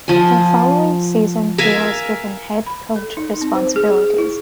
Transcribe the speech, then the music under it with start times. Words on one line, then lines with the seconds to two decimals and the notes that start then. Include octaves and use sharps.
The following season he was given head coach responsibilities.
0.08 F3 G#5
1.58 A#4 E5 F5 G#5
2.66 B5
2.96 A4
3.17 D#4
3.41 C4
3.55 C5
3.76 G#4
4.18 E4